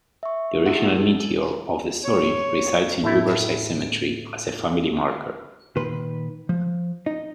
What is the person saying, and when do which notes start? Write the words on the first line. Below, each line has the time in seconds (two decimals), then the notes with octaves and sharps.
The original meteor of the story resides in Riverside Cemetery as a family marker.
0.23 E5 C#6
0.66 E2 F#4 G#4 A4
2.04 C#5
3.03 A2 A3 E4
5.76 A#2 D#3 B4 C6
6.49 F3
7.06 D#4 D#5